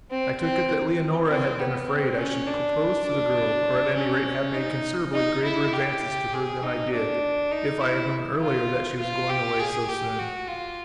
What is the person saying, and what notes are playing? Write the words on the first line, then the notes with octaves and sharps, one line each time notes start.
I took it that Leonora had been afraid I should propose to the girl or, at any rate, have made considerably greater advances to her than I did, if I had known earlier that she was going away so soon.
C4
C4
C4
B3
C4
C#4
D4
D4
C#4
D#4
D#4
E4
G4
G#4
D#4
D4
D#4
E4
F4
F4
G4
G#4
G4
F#4
F4